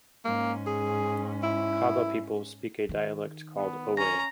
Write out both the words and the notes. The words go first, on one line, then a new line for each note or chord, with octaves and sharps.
Kabba people speak a dialect called Owe.
G#2 A#3 C#4
G#4
E4
D#3
B3
C#4 A#5 A#6